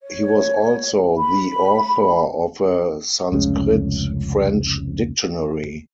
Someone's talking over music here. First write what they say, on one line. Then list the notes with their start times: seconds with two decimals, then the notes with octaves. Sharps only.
He was also the author of a Sanskrit-French dictionary.
0.01 C#5
1.16 B5
3.32 F1 C#2 C#3